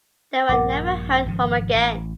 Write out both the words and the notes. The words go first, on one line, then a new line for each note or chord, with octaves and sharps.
They were never heard from again.
A#1 G2 A#4 F#5 D6
G#1 C#3 F3
A1